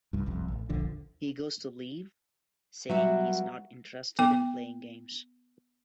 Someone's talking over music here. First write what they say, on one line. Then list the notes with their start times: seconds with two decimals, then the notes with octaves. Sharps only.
He goes to leave, saying he is not interested in playing games.
0.13 C2 G2
0.26 F1 C2 F2
0.48 A1
0.69 D#1 A#1 D3 F3
2.89 F#3 G3 B3 F#4 E5
4.19 B3 G5 D6